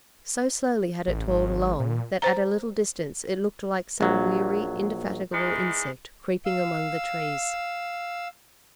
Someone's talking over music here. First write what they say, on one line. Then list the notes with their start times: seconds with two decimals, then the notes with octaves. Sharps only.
So slowly had it toiled along that at a little distance it looked like some weary, indefatigable insect creeping among the trees.
1.08 A1
1.28 G#1
1.80 A#2
2.22 C5 A#5
4.01 A#1 F#3
5.32 G#2 E3 G#3
6.46 F5 E6